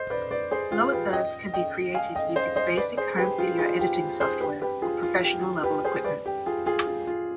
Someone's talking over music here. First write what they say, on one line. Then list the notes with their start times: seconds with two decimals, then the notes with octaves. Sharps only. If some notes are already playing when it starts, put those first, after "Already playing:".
Lower thirds can be created using basic home-video editing software or professional-level equipment.
Already playing: C5 D#5
0.10 B4 D5
0.31 B4 D5
0.51 G#4 C5
0.72 F4 G#4
0.92 G4 B4
1.13 D#5 G5
1.54 D#5 G5
1.94 F5 G#5
2.15 D#5 G5
2.36 C5 D#5
2.56 C5 D#5
2.77 B4 D5
2.97 G#4 C5
3.18 G4 B4
3.38 F4 G#4
3.58 F4 G#4
3.79 G4
4.20 G#4 C5
4.40 G4 B4
4.62 G4 B4
4.82 F4 G#4
5.03 F4
5.23 G4
5.63 G4 B4
5.85 G#4 C5
6.04 B4 D5
6.26 G4
6.46 F4 G#4
6.66 F4 G#4
6.87 F4
7.07 F4